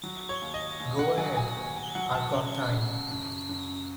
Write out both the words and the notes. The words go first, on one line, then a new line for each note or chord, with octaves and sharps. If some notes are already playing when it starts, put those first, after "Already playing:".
Go ahead, I've got time.
F#3
C#5
D#2
D#5
D#2
F#5
F#3 G#5
G#5
D#2
G#5
F#3 F#5
A5
C#3
C#3
F#2
F#2